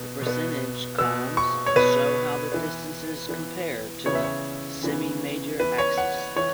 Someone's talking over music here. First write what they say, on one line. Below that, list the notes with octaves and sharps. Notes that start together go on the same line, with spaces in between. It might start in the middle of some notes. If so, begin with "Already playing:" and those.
The percentage columns show how the distances compare to the semimajor axis.
Already playing: B2 B3
B2
B3
B2 B3 E6
C#6
C#5
B2 B3 B4
E3 B3
E3 B3
C#3 E3 B3 C#5
E5
C#5
C#3 E3 B3
E3 B3 B4
C#5
F#5
E3 C#5